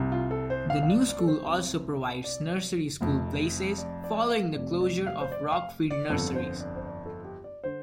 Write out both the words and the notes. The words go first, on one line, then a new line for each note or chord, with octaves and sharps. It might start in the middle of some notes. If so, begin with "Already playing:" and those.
The new school also provides nursery school places, following the closure of Rockfield Nursery.
Already playing: C2 C3
F4
A4
C5
F5
F5
D5
D5
A4
C5
C2 C3
D5
F1 F2 C3
D5
D5
F5
F1 F2 C3 D5
D5
F5
C5
D5
F5
D5
G1 F2 D3 A4
C5
D5
C5
D5
A4
G4
D5
D3 C5